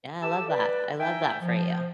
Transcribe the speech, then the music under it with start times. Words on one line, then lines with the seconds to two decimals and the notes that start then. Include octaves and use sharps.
Yeah, I love that. I love that for you.
0.23 G4 A4 A5 E6
0.48 B4 D5
1.00 D#4 E5 G5 G#5
1.42 F3